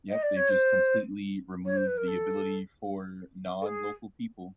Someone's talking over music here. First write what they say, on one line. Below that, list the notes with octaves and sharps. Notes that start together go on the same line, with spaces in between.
Yep, they've just completely removed the ability for non-local people
D#5
D5
C#5
C5
C#5
C5
B4
A#4
A4
A4
G#4